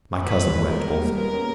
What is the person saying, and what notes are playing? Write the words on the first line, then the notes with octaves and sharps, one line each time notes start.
My cousin wept also.
B4
G#3
G#3 A#4
G3 A#3
G#3 B3 A#4
A#3 C#4